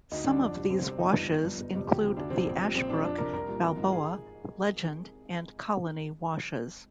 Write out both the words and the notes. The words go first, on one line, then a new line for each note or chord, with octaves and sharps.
Some of these washes include the Ashbrook, Balboa, Legend, and Colony Washes.
D2 D#4
D3 G3 D4
F2
C3 G3
C2 C4
C3 G3 C4
G1 D#4
G2 F3
G1
G2 F3
G1
F2 C3 G3
D2 G4
C3 F3
D2 D4
C3 F3 C4
A#1
A#2 G3
A#1 C4
A#2 G3 D4
F2 D4
C3 F3 A#4
C2 A#4
A#2 G3
G#1
G#2 F3
G#4